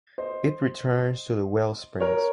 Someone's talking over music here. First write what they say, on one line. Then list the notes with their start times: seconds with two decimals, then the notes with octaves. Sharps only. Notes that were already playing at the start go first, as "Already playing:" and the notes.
It returns to the wellsprings.
0.18 C5 D#5
2.00 A#4 C#5